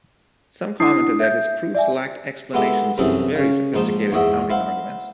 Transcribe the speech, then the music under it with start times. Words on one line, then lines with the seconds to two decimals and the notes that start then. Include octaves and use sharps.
Some commented that his proofs lacked explanations of very sophisticated counting arguments.
0.80 D4 E4 D#6 C7
1.20 E5 G6
1.75 D5 E5 G#5
2.53 G#3 B3 E4 G4 A4
2.98 C2 F#2 C3 E3 G#4 A4
3.35 C#3 C#4
3.74 A#1 G#2 D#4 C5 A5
4.12 E2 G#2 C#5 D#5 E5 F#5
4.50 E4 C5 F5 F#5